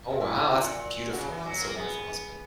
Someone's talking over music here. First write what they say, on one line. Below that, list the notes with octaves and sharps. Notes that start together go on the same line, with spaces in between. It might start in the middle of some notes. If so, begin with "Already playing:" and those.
Oh, wow, that's beautiful, that's a wonderful husband.
A#2
A#2 E4
G#2
A#2 F#4
C#3 F#4
E3
F#3
A#3
B3 G#4